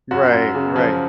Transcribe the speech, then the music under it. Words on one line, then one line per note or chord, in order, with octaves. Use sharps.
Right, right,
F#2 F#4
F#2
C#3
F3